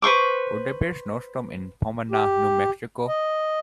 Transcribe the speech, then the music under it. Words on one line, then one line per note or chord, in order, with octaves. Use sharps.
Will there be a snowstorm in Pomona, New Mexico?
B4 C5 C#6 D6
G4
D#5